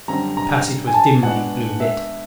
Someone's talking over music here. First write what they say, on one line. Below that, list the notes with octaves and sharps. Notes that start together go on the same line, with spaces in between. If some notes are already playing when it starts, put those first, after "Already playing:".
The passage was dimly blue lit.
F#2 D3 G3 C4 A#5
A#5
G#5
A5
B2 G#3 B3 D4 F#5
E5